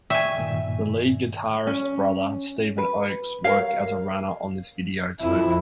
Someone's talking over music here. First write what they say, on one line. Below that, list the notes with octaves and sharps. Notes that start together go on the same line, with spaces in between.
The lead guitarist's brother, Stephen Oakes, worked as a runner on this video too.
D5 E5 G5 G#5 C#6
G2 A#2 D#3
C#4
B4
A#4 C#5 F5
F2 E4